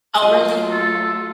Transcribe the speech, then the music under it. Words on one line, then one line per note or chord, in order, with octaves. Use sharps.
Oh, really?
F#3 A3 F4 D#5
A4